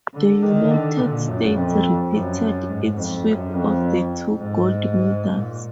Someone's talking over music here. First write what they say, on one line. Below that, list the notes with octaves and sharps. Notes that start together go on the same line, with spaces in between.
The United States repeated its sweep of the two gold medals.
D3
D#3
D3
A#2
F#2
F2
F#2
G#2
F2
F#2
F2
G#2
A#2